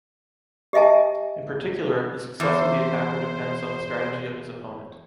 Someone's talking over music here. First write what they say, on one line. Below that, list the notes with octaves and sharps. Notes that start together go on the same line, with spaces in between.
In particular, the success of the attacker depends on the strategy of his opponent.
G4 D#5 E5 G#5 A5
E2 C5